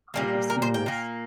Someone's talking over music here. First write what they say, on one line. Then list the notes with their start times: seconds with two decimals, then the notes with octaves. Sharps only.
I have seen this.
0.14 A#2 G3 A#3
0.50 A#4
0.62 C5
0.74 G5
0.86 A#2 A#3